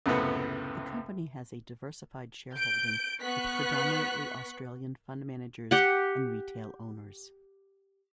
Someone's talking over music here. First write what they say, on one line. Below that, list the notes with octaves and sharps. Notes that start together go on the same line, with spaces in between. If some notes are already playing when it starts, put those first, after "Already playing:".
The company has a diversified shareholding with predominantly Australian fund managers and retail owners.
C#2 F#2 A2 C3 B3 F#5
G6 D7
B3 C#6 F#6 B6
G4 F#5